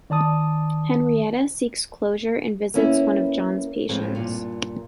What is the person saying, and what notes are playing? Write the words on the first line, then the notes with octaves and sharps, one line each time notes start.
Henrietta seeks closure and visits one of John's patients.
D#3 D5 A5 D#6
A#3 B3 C#4 E4
A2 F3 G#3 C4
G2 A#2